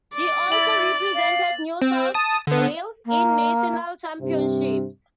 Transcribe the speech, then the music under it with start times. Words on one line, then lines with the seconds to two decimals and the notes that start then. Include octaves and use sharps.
She also represented New South Wales in National Championships.
0.14 D5
0.48 E4 A6 F#7
1.15 F5
1.82 C4
2.14 A5 D#6
2.47 D3 B3
3.05 A#3
4.21 G2 C3